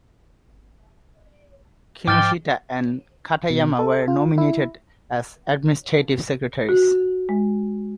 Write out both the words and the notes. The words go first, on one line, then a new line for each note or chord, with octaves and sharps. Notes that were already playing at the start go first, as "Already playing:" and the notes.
Kinoshita and Katayama were nominated as administrative secretaries.
G#2 F3 G5 D6 F6 A6
B2
A4
F4
E4
F#4
G#3